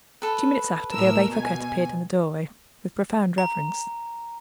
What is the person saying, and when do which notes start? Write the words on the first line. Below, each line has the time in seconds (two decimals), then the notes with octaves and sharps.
Two minutes after, the Abbe Fouquet appeared in the doorway, with profound reverence.
0.22 A4 B4
0.93 A2 A#4 E6
1.29 B2 G#5
3.38 A#5